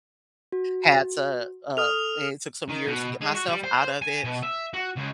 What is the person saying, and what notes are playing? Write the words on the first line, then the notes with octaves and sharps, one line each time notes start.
had to, uh it took some years to get myself out of it,
F#4
A4 D#6 F6 F7
D#3
B2
G#3
F#4
G3
C5
G#5
B2
E5
F#4
C#2